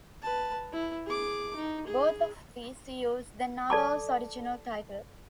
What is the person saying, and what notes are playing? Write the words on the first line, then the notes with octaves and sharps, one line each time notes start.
Both of these used the novel's original title.
B4 A5
E4
G#4 D6
D#4
G#4
A4 D5 A5 D6